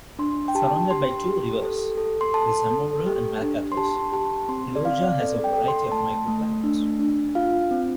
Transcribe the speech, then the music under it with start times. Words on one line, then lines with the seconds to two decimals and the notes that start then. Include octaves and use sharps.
Surrounded by two rivers, the Zamora and Malacatos, Loja has a variety of microclimates.
0.19 D4 C6
0.48 G5
0.55 G4 A5
0.91 G4 C6
1.27 G4
1.62 A4
1.98 A4
2.21 C6
2.34 A4 A5
2.70 A4
3.06 G4
3.42 D4
3.72 C6
3.77 G4 A5
4.12 G4 A5
4.49 C4 C6
4.75 D5
4.85 C4 F5
5.03 D5
5.20 A4 D5
5.44 G5
5.56 A4
5.68 C6
5.92 A3 A5
6.28 A3
6.63 D4
6.99 D4
7.35 F4 F5
7.71 C4